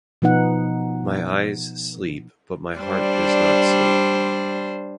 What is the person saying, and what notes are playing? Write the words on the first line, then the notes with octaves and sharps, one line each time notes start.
My eyes sleep but my heart does not sleep.
B2 F3 B3 D#4 F#5
G3 D4 C5